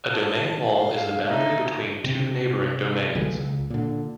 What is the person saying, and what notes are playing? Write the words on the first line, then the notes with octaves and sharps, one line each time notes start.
A domain wall is the boundary between two neighboring domains.
A5
F5
A3 D#4
C3 C4
B1 D3 E3 G#3
C#2
A#2 D3